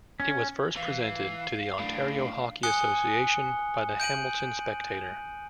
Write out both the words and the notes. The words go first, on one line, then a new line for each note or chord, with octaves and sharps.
It was first presented to the Ontario Hockey Association by "The Hamilton Spectator".
C#4
E3 F5
A2 D4
G#5 D#6 F#6 C#7 G7
G6 D7 D#7 F#7